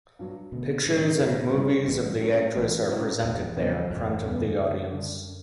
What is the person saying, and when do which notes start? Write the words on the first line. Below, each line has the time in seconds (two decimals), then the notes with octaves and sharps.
Pictures and movies of the actress are presented there in front of the audience.
0.19 G2 F#3
0.52 D2 B2
0.86 A2 D3 G3 C#4 E4
1.20 D2 G2
1.54 G2 D3 G3 C#4 E4
1.88 A1 G2
1.96 A2
2.05 G2
2.21 A2 F#3 C#4 E4
2.55 A1
2.89 A2 F#3 C#4 E4
3.23 E1
3.57 E2 C#3 G3 B3
3.90 E1 F#2
4.25 E2 C#3 G3 B3
4.57 D2
4.91 D3 G3 D4